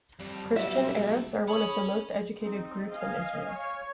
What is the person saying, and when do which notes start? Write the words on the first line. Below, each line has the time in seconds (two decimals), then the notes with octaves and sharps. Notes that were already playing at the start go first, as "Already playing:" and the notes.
Christian Arabs are one of the most educated groups in Israel.
0.19 F2 G3
0.56 F#3 B3 E5
1.48 C#4 G#4 C#5 B5
2.40 C4 D#4
2.91 D#5 F5 G#5
3.49 C#5